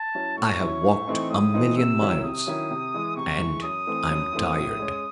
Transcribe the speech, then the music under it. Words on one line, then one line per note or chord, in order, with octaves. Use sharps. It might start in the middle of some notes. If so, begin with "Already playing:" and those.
I have walked a million miles, and I'm tired.
Already playing: A5
F#3 C#4 E4
A2 C#6
F#3 C#4 E4
A2
E3 A3 C4 D#4
A2 D#6
E3 A3 C4 D#4
C3 E6
D#3 F#3 C#4 E4
C3 D#6
D#3 F#3 C#4 E4
C3
E3 G#3
C3 C#6
E3 G#3
F#2 D#6
E3 A3 C4
F#2
E3 A3 C4
A2
G#3 C#4